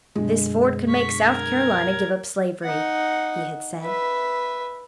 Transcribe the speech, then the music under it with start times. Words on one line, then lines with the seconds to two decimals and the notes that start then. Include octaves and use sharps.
"This fort could make South Carolina give up slavery," he had said.
0.15 F#2 B2 D3 G#3
0.89 C#6 B6
1.27 A#4 G#6
2.64 D#4 F#5
3.82 B4 E5